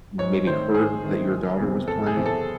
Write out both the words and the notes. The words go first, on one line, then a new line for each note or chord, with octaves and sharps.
maybe heard that your daughter was playing.
G#2 C#5
D#3 A3 C4 C5
G#2 G#4
D#3 A3 C4
F#1
E2 C3 E3 C4
F#1 A4
G#4
E2 C3 E3 C4
A4